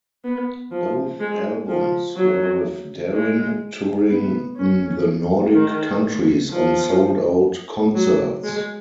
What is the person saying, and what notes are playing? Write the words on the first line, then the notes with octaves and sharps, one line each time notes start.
Both albums were with Darin touring in the Nordic countries, on sold out concerts.
B3
F3
G#3
F3
F#3
G#3
B3
C#4
D#3
F3
F#3
G#3